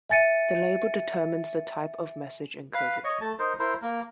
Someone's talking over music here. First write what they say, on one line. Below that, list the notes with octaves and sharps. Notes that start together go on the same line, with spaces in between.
The label determines the type of message encoded.
E5 G#5 A6 C#7 D#7
B4 F5
C#5 D#5 C#6
A3 A5
D#4 A#4 C5
E4 A#4 C5
A#3 A#4